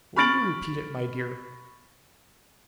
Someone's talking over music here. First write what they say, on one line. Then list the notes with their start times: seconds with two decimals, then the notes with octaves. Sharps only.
Will you repeat it, my dear?'
0.16 B5 C#6 F6 A6 D7 F#7